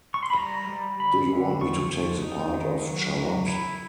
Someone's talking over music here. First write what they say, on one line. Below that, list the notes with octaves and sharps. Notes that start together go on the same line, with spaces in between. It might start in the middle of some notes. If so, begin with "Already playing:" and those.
Do you want me to take the part of Charlotte?
C#6
C6
B5
G3 A#5
G3
D3 B5
D3
F3 C#6
F3
D#4
D#3
F#3
F#3
E4